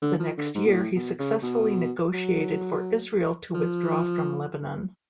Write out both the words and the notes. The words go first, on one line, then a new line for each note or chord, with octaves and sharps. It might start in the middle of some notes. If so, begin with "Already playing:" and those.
The next year he successfully negotiated for Israel to withdraw from Lebanon.
D3
F3
D3
G#2
B2
A2
B2
C#3
B2
F#3
F3